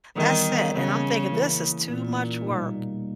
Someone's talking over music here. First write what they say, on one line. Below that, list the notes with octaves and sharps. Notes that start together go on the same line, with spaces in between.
That's it, and I'm thinking this is too much work
D#3 E3 G3 B3
C#3
E3 A#3 C#4 E4 A#4
A#2
B2 G3 A#3 D#4